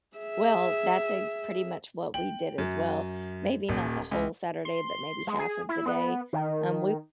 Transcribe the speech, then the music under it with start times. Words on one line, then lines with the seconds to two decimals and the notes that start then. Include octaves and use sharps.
Well, that's ex pretty much what we did as well maybe not the whole Saturday, but maybe half of the day um, we
0.17 G#4 E5
2.14 G5 F#7
2.58 F#2
3.69 D#1 D#2
4.11 C#2
4.65 C6
5.27 G#3
5.40 G#4
5.69 E4
5.86 B3
6.33 D#3